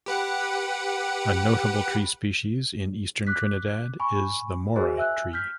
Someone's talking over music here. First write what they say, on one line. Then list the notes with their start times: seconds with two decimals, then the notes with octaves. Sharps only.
A notable tree species in eastern Trinidad is the "Mora" tree.
0.06 G4 B4 F#5
3.27 D6 F#6 B6
4.00 G#5 B5 C#6
4.76 F#4 G#4 A#4 C5 D#5 G#5
4.97 E5 G#5 E6 F#6
5.33 F6 G6 B6